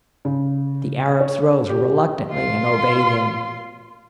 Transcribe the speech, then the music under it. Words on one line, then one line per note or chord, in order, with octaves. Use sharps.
The Arabs rose reluctantly and obeyed him.
C#3
C#5
G4
F4 C6